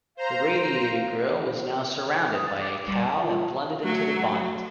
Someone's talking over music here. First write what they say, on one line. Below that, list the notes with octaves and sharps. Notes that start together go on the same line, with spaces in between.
The radiator grille was now surrounded by a cowl that blended into the bonnet.
C5 F5 A#5
D#6
A6
D6
G3
A5
F4
F#3 A3